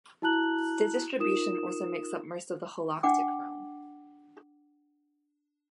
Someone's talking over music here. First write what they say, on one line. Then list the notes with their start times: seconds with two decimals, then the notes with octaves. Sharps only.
Their distribution also makes up most of the Holarctic realm.
0.22 E4 F#4 A5 A#5 F#6 F#7
1.19 D#4 F4 A#4 D#6 E7
3.03 D4 F#5 G5 D6